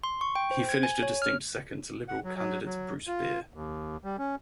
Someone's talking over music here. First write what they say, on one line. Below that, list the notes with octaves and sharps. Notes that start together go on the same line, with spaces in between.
He finished a distant second to Liberal candidate Bruce Beer.
C6
C#6
G5
C5
G#6
G#5
C#5
F6
F#5
F#3
F#3
F#3
F4
D#2
G3
C#4